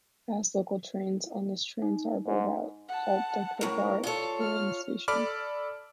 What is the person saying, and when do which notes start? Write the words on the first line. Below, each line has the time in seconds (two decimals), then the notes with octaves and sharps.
Fast local trains on this trans-harbour route halt at Kopar Khairane station.
1.82 D#4
2.26 G#2
2.89 F#5 A5
3.61 A2 C#3 A#4
4.04 F4 A4 C#5
4.41 F6
5.08 A4 D5 B5 D6 F6